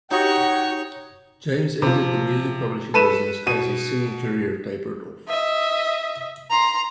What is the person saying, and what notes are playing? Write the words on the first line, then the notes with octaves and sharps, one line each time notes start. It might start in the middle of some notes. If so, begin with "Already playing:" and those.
James entered the music publishing business as his singing career tapered off.
D#4 F#4 G4 C#5
C3 F3
A4 B4 D#7 E7
B2 D#7
D#5 E5
A#5 C6